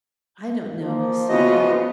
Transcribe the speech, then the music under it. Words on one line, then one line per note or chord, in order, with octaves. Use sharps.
"I don't know," he said.
F3 A#3
C#3 E3 B3 F4 F#4 D#5